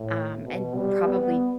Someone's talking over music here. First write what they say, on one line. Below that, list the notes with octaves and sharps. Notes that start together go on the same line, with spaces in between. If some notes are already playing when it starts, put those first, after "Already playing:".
um, and probably
Already playing: A2
B2
G3
B3